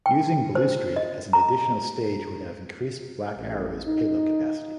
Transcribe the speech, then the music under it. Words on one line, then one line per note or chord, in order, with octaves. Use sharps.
Using Blue Streak as an additional stage would have increased Black Arrow's payload capacity.
G5
C5
D#5
A#5
A1
D#4